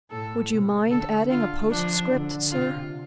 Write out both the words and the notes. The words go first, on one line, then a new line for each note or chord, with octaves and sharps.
"Would you mind adding a postscript, sir?"
A2 A4
C3
D3 A4
D3 F4
F3 D4
D3
C3 F4